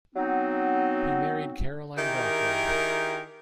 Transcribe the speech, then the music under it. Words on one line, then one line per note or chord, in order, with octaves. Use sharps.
He married Caroline Brockway.
F#3 B3 C4 D#4
D#3 E4 G4 G#4 A#4